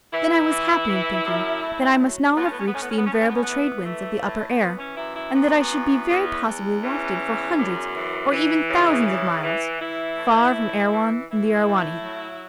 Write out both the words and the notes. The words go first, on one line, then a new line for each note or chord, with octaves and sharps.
Then I was happy in thinking that I must now have reached the invariable trade wind of the upper air, and that I should be very possibly wafted for hundreds or even thousands of miles, far from Erewhon and the Erewhonians.
E3 E4
E3
E3
F#2
A2
F#3
A2 B3
C#4
B3
C#4
B3
A2 C#4
B3
C#4
B3
C#4
A2 B3
C#4
B3
C#4
E3 B3
E3 A3
A2
E3 B3
C#4
F#2 E4
E4
F#2 B3
E3
E2
E2
E3 C#4
E2
F#2
E3
E3
C#3
E3
E3
E3 E4
A2
E3
E3
E3 E4
A2
F#3